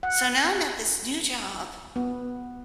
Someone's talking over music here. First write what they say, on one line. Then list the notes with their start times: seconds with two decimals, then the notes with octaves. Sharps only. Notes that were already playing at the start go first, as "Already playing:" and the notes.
So now I'm at this new job,
0.03 F#5
1.96 B3